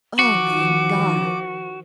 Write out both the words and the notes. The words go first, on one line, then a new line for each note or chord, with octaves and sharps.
Oh, thank God!
D#3 F3 F#4 D6